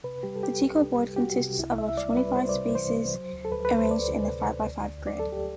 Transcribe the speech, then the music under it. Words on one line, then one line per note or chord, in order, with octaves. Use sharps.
The Teeko board consists of twenty-five spaces arranged in a five-by-five grid.
C3 B4
G3 G4
A4
G3 G4
C2
C3
G3
G4
G3 F#4
C3
C2 E4
C2 E5
E5
G3 D5
G3 B4
G3 C5
D5
C3
E3 C5
C3
F#3
D2
A4
D2 B4
B4
D2
C5
D2 D5
D2
C3
D2
D2
D2
F#3 D5
A4
D2
G4